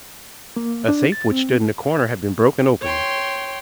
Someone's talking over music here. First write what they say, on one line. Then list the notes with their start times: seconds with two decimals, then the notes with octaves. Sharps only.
A safe which stood in a corner had been broken open.
0.56 A#3
0.88 D4
1.12 A6
1.31 C4
2.81 C#5 G5 C6